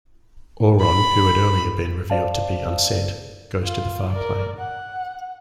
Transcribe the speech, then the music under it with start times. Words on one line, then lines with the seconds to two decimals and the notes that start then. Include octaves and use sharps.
Auron, who had earlier been revealed to be unsent, goes to the Farplane.
0.81 B5
2.10 C5 D5 F5 A5
3.64 F4
4.11 A#4 D5
4.58 F#5